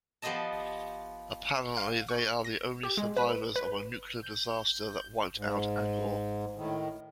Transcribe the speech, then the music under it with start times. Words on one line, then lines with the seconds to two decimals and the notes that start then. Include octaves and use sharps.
Apparently they are the only survivors of a nuclear disaster that wiped out Angor.
0.22 F3 B3 G4 C5 D#5 A5
1.77 F5
2.09 C#6
2.44 A#6
2.83 G4
2.97 G#3
3.17 B4
3.56 B4
4.23 G6
5.36 G#2
6.57 A2 D#3